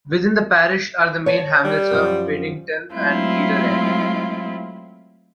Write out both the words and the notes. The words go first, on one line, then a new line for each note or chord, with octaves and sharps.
Within the parish are the main hamlets of Piddington and Wheeler End.
C#5 A5
G3
F#2 F3
F#3 G#3 A3 C4 E4 F4